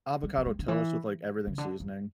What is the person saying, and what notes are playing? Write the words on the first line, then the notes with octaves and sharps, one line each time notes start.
avocado toast with, like, everything seasoning.
G3
F3
G3
D3
E3
C#3
D3
F2